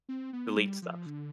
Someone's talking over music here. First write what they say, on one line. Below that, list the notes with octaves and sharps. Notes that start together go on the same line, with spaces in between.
delete stuff.
C4
B3
G3
F3
D3